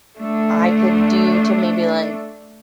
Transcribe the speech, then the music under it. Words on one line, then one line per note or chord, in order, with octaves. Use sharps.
I could do to maybe, like,
A3 D4